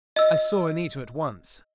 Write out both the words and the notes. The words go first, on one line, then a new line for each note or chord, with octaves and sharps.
I saw Anita at once.
D#5 E6